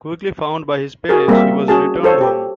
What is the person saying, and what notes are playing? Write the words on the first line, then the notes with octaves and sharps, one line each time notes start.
Quickly found by his parents he was returned home.
F#4 G#4 A#4
G3 A#3 C4 G4 A#4 E5
C#4 F#4 G#4 A5
F4 A4 C5 C#5
G4